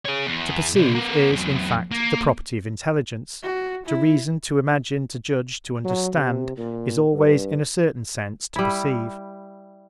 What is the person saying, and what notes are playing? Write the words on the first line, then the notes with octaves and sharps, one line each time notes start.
To perceive is, in fact, the property of intelligence; to reason, to imagine, to judge, to understand, is always, in a certain sense, to perceive.
G#4 C#5
E2
C3 D4
B3 A#4
E2 F#3
A#3
F#4
E4
F#3
C3
A#2
G2
G3 E4